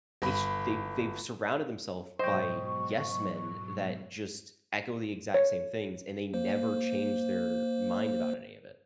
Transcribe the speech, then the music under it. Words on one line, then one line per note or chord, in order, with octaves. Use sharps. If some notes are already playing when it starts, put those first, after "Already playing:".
It sh they've they've surrounded themself by yes men that just echo the exact same things, and they never change their mind about any of it.
G1 B5
G#2 B2 F#3 C5 D#5 G5 C#6
C#5
A#3 C5